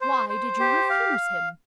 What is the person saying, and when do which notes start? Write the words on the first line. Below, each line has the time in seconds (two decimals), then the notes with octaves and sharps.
"Why did you refuse him?"
0.01 C5
0.29 C5
0.60 G4
0.90 F5